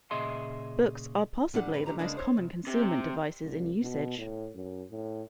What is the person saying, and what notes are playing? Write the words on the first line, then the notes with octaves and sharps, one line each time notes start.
Books are possibly the most common concealment devices in usage.
A#2 C#3 G#4 D#5 E5 C6
A2 G3 D4 F#5
F2 A2 B4
C#2 A#2 D3 G4 A#5
C#3 E3 G#3 A#3 B3 D4
C5 C#5
C2
C3
C2
B2
A2
F#2
A2